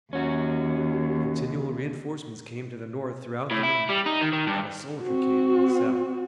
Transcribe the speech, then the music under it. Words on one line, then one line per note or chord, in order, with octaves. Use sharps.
Continual reinforcements came to the North throughout the night, not a soldier came to the South.
D#2 C#4 F#4
A2
E4
G3
D#4
D#3
D#3
G2
C4 F#4